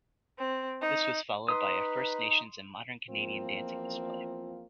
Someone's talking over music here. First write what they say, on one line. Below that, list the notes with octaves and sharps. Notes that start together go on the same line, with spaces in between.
This was followed by a First Nations and modern Canadian dancing display.
C4
D#4
D#4 B4 C6 D#6
E2 F3 A#3 C4 F4